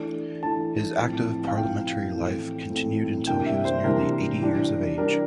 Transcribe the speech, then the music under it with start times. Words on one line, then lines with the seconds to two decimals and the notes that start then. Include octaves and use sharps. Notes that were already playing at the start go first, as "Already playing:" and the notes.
His active parliamentary life continued until he was nearly eighty years of age.
Already playing: E3 A3 D4
0.43 E3 A3 D4 A5
1.00 A2 F3 C4
1.47 F5
1.57 A2 F3 C4 G5
2.13 A2 E3 A3 C4
2.70 A2 E3 A3 C4
3.27 C3 E3 G3 A#3 D4 G5
3.46 E5
3.65 C5
3.84 C3 E3 G3 A#3 D4 A#4
4.41 E3 G3 D4
4.98 E3 G3 D4 A#4